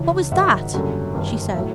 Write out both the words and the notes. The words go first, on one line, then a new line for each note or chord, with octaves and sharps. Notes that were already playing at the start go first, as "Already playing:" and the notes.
"What was that?" she said.
Already playing: C#2 C#3 E3
G#2 D#3 F#3 E5 F#5
F#1 F#2 D3 G3
G1 G2 D#3 G3
E5
A2 F#3